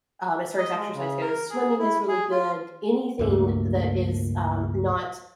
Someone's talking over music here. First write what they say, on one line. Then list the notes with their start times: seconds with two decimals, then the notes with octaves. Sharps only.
um- as far as exercise goes- swimming is really good, anything that is, um, not
0.58 D#5
0.75 G#3
0.95 C#3
1.21 A#4
1.50 G#4
1.79 E4
2.08 G#4
2.31 F4
3.19 C#2 G2 A#2 A3